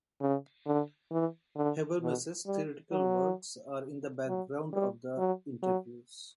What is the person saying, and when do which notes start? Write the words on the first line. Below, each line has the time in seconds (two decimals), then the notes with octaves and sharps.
Habermas's theoretical works are in the background of the interviews.
0.21 C#3
0.66 D3
1.11 E3
1.56 D3
2.01 B2
2.47 G3
2.92 F#3
4.27 F#3
4.73 G3
5.18 F#3
5.63 F#3